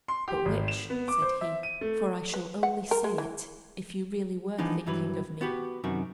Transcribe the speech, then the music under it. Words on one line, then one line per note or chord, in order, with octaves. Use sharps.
'But which?' said he--'for I shall only say it if you really were thinking of me.
C6
G4
G#1
E7
B3
D6
C5
E5
D#7
A3
B4
F#5
A#4
G#3
E3
E3 F3 B3 D4 D#4
G2 E3 F#3 B4
B3 F#4 G4 B4
F#2 C3 D#3 F#4